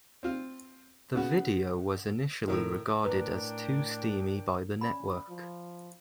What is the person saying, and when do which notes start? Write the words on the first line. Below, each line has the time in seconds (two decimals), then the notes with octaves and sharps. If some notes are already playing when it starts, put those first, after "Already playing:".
The video was initially regarded as too steamy by the network.
0.23 C4 F4
1.15 C#3 B3 F#4
2.48 A2 D#3
3.04 A2 D4 A#4 B4 C#5 G5 A#5
4.81 C#4 D5 B5
5.29 F3